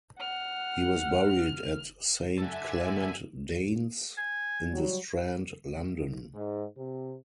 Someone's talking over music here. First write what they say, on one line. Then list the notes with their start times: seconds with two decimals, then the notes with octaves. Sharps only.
He was buried at Saint Clement Danes in The Strand, London.
0.20 F#5 F6
2.38 A4 E5 F#5 G#5
4.18 G#5
4.71 F#3 G3
6.34 G#2
6.77 C3